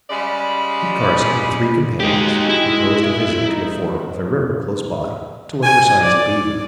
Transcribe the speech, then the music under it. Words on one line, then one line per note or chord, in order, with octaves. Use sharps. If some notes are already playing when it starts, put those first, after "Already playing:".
Kit Carson, with three companions, proposed a visit to a fork of a river close by, to look for signs of beaver.
C#3 G3 G#3 D5 B5
G#3 D#4 F#4 G4
E4
D#4
G#5
D5